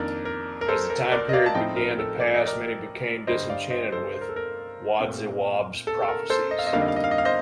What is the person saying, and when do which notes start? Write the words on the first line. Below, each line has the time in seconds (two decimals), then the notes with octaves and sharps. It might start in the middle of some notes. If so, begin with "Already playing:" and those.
As the time period began to pass, many became disenchanted with Wodziwob's prophecies.
Already playing: F2 D#3 A#3 D4 A#4 D5
0.25 A#4
0.61 A#4
0.68 A4 C5
0.90 A#4
1.12 A#4 D5
1.29 D#5
1.33 D5 F5
1.46 A5
1.55 A2 F3 C4 D#4 D#5 G5
1.76 A#4
1.99 A4
2.20 D5
2.34 D#5
2.47 A#4 D5
3.27 G2 D3 G3 D4 C5 D#5
3.49 D5 F5
3.70 C5 D#5
3.92 A4 C5
4.14 C5
4.21 A#4
4.29 A4
4.36 A#4
5.00 A#2 A3 C4
5.87 A4
6.02 A4
6.08 A#4
6.30 A4 C5
6.51 D#5
6.59 F5
6.67 D#5
6.73 F2 D3 G3 A#3 D#4 F5
6.82 D#5
6.88 F5
6.96 D#5
7.04 F5
7.11 D#5
7.18 F5
7.25 C5 D#5